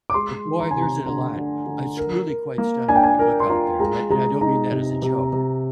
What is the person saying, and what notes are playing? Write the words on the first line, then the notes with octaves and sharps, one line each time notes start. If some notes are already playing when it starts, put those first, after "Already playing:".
But, boy, there's it a lot. I it's really quite stunning when you look out there, and I and I don't mean that as a joke.
D6
G#3 C6
D#3
A#5
C3 G#5
A#5
D3 A#5
D3
D3
A#4
A#4
A#3
D4 G#5
G5
G#5
A#4 G#5
C6
F4 A#5
G#3 A#5
G#3 A#5
D#4 A#5
C3
C3
C3